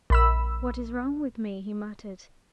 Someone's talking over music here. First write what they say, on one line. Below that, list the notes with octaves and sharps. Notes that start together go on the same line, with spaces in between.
"What is wrong with me?" he muttered.
A#1 B5 E6